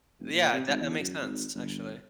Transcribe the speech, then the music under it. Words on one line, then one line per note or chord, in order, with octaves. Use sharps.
Yeah, that that makes sense, actually.
F1
A#2
C3
G#1
E2
F#2
G#1
G1